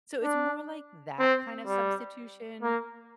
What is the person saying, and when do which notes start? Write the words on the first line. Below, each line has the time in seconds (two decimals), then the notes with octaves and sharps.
So, it's more like that kind of substitution
0.23 D4
1.19 C4
1.66 G3
2.62 A#3